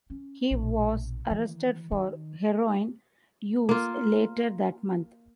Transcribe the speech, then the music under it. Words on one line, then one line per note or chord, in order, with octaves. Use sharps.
He was arrested for heroin use later that month.
C#4
A#1 B2
D#3 E3
D#3
A#3 F4